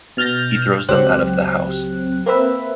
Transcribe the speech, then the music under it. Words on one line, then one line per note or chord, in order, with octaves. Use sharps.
He throws them out of the house.
B2 F6 G6 A6 A#6
C#2 F#3 C4 G4 F#6
A#3 C4 B4 E5